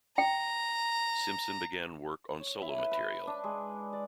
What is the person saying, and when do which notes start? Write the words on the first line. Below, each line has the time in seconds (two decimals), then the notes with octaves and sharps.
Simpson began work on solo material.
0.18 G5 A#5
2.40 C#5
2.62 E4
2.78 B4
2.91 B4
3.27 D4
3.44 G#3
3.93 D5